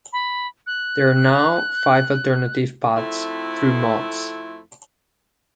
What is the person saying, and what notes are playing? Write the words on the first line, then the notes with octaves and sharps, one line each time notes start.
There are now five alternative paths through Mods.
B5
F#6
F2 A3 C4 E4